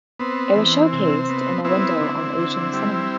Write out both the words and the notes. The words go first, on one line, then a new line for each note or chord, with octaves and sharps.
It was showcased in "A Window on Asian Cinema".
B3 C4
E3
C3
B3
B3 C4 E4
D3
D3
G3